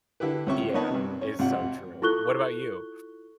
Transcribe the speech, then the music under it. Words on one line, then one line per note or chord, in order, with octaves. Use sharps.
Yeah, it's so true. What about you?
D3 E4 G4 B4
C#2 C3 C#4 E5 C#6
B3 D#4 B4 C#5 D#5 A5
G2 C3
C#4 C#5
G#1 C3 F4 F#5
E4 F4 A4 C#6 F#6 G7